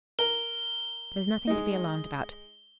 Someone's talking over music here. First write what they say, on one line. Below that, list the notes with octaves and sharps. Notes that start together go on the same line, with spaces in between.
There's nothing to be alarmed about.
A#4 G7
G#3 D#4